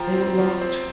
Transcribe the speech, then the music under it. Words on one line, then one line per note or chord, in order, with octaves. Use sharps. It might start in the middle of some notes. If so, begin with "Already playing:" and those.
They were locked!
Already playing: F3 G5 A#5
C4
F3
C4